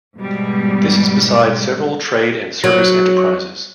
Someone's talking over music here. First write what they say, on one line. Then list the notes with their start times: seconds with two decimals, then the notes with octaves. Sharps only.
This is beside several trade and service enterprises.
0.18 G#2 B2 G3
2.64 F#3